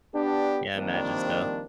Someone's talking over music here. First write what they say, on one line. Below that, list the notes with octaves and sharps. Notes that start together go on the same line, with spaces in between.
Yeah, I imagine so.
B3 D4 G4
D#3 F3 G3 A#3 C4 D4